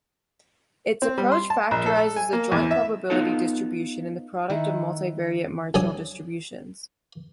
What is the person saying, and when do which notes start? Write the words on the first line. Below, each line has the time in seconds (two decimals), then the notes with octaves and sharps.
Its approach factorizes the joint probability distribution in the product of multivariate marginal distributions.
1.02 C4
1.18 G3
1.32 C6
1.50 A5
1.71 A#1
1.86 A4
2.16 G#5
2.33 A#3
2.52 E2
2.71 E5
3.10 B3 D#4 F4 A4
4.50 D#3 E4 F#5
5.74 C2 F2 F#3 D4 G#5 D#6